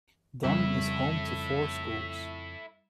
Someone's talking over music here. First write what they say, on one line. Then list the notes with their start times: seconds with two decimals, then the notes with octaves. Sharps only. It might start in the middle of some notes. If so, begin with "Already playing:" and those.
Dunn is home to four schools.
0.44 F2 C#3 G3 E4 A4 E5